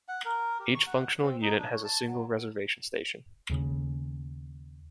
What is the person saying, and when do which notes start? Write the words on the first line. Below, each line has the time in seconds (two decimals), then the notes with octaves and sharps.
Each functional unit has a single reservation station.
0.08 F#5
0.25 A#4
0.60 G4
0.75 C#6
0.87 F#5
1.21 C4
1.42 D#4
1.59 D4
1.72 C#5
1.85 A5
2.07 F#3
3.50 D#2 C#3